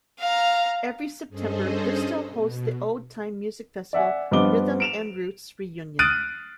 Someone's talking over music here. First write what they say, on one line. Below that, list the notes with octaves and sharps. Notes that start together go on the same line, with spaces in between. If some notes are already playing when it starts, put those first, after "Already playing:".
Every September, Bristol hosts the old-time music festival, Rhythm and Roots Reunion.
F5 A#5
G2 C#4 G#4 A4 C5 D#5
B2
D5 E5 F#5 G#5
G2 F3 B3 D#5 D6 G7
D7 E7 F7
D#6 F6 F#6 A6 D7 D#7